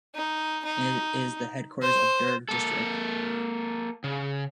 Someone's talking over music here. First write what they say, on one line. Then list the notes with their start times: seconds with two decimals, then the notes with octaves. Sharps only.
It is the headquarters of Durg District.
0.15 D#4
0.65 D#4
1.82 C5
2.49 A#3 A4
4.04 C#3